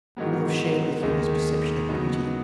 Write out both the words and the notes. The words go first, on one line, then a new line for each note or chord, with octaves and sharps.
He will have shared with you his perception of beauty.
G#2 D#3 F#3 B3
D#2 D#3 G#3 D#4
C#2 C#3 F#3 B3 D#4